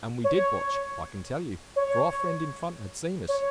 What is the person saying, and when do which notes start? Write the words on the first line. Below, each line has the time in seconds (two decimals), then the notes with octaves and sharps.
And we did watch, I can tell you; for our friend in front had seen us.
0.24 C#5
1.76 C#5
3.28 C#5